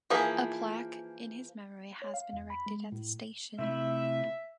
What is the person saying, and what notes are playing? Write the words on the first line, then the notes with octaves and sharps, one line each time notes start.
A plaque in his memory has been erected at the station.
E3 F3 A#3 G#4
C#5
F5
E2
B5
G#3
A2
C3 A3 E4 E5